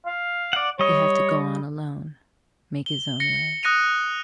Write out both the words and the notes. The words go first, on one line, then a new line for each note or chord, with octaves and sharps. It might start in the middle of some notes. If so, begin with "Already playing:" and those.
He had to go on alone, make his own way.
F5
D5 F#5
G3 C#5 D#5
G7
A#6 C#7
D#6 F#6 A#6 C#7 D#7 F7